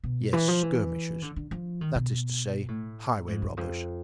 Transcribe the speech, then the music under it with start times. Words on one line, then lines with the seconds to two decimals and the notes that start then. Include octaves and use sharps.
"Yes, skirmishers; that is to say, highway robbers."
0.04 B2
0.33 E3
0.48 F3
0.62 E3
1.22 D3
1.36 D3
1.51 F3
1.81 D#3
1.95 B2
2.68 A2
3.28 G#2
3.42 E2
3.57 F2